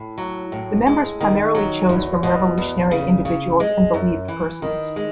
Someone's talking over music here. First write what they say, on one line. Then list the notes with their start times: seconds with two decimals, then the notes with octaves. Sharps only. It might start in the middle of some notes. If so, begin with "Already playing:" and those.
The members primarily chose from revolutionary individuals and believed persons.
Already playing: A2
0.18 F#3
0.52 A2
0.87 G#3
1.21 D#3
1.55 F#3
1.89 E2
2.23 B2
2.58 E2
2.91 C#3
3.25 C#3
3.60 G#3
3.94 F#2
4.28 E3
4.62 D#3
4.96 G#3